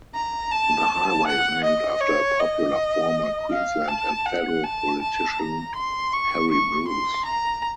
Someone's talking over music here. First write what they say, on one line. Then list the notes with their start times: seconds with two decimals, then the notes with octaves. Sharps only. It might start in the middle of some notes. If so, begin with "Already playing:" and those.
The highway is named after a popular former Queensland and federal politician, Harry Bruce.
0.15 A#5
0.52 A5
1.27 F#5
1.64 D#5
2.01 C#5
2.39 D#5
3.51 F5
3.88 A5
4.26 F#5
4.63 A5
5.01 A5
5.39 A#5
5.76 C6
6.13 C#6
6.51 C#6
6.87 C6
7.25 A#5